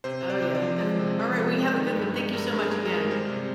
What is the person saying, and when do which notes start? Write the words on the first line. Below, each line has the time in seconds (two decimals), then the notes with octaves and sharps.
Oh, yeah, definitely, alright, well, you have a good one, thank you so much, again.
0.04 C3 C5
0.23 C3
0.30 D5
0.42 C3
0.55 D5
0.62 F3
0.80 G#3
0.99 C3
1.20 F3
1.38 C3
1.57 G#3
1.77 D#3
1.96 G2
2.14 G#3
2.33 G2 A#4
2.53 G2
2.59 G#4
2.72 G2
2.85 A#4
2.92 G#3
3.11 G3 C5
3.29 C3